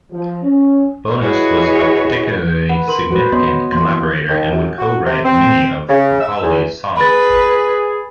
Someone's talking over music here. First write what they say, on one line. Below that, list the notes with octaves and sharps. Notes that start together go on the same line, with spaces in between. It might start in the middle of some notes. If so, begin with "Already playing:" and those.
Bonas was a particularly significant collaborator, and would co-write many of Capaldi's songs.
F3
C#4
E4 F#4 G#4 B4 C#5 D#5
B4 F#5
A#4 C6 F#7
F#4 B4 C5
B3 C#5 D#5 C6
E3 A#3 C6
D#2
F#2
F#4
C3
C4
C#3
E6
E2
G#4 B4 B5 A6